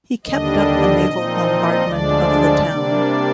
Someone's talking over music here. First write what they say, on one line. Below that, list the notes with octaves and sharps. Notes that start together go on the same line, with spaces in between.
He kept up a naval bombardment of the town.
D#2 D3 G3 D4 D#5
A#2 F3 C4 D#4
D2 D3 F3 G#3 D4 D5
C3 G3 A#3 D4